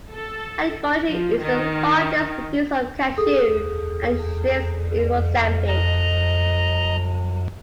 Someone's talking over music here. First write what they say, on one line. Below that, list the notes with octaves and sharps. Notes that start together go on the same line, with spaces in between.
Angoche is the largest producer of cashew and shrimps in Mozambique.
A4
F3
D#3
G#4 A4 D#6
D#5 A#5